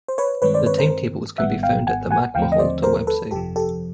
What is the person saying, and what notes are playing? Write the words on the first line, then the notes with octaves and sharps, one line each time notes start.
The timetables can be found at the Matkahuolto web site.
C5
B4 C#5
G2 D#3 G#3 C4 B4 C#5
C5 D5
B4 C#5
A#4 C5
G#1 G#2 D#3 G3 B3 E5 F#5
F5 G5
F#5 G#5
F#5 G#5
D#2 D3 F3 A3 C4 F5 G5
D#5
C5 D5
A#4 C5
A4 B4
G1 F2 C3 F3 G4 A4
G4 A4